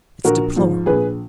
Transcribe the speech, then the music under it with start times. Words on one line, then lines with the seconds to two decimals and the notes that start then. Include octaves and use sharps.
It's deplorable.
0.24 A#1 F#4 A#4
0.56 G#2 F3
0.86 A#1 G#4 B4